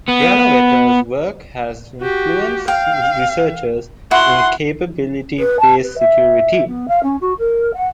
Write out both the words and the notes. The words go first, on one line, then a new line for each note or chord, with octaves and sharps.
Granovetter's work has influenced researchers in capability-based security.
B3
F#4 G4
F5 G5
E4 F#4 F#5 C6
B4
A5
B4
E5
B3
F5
C#4
F#4
A#4
F#5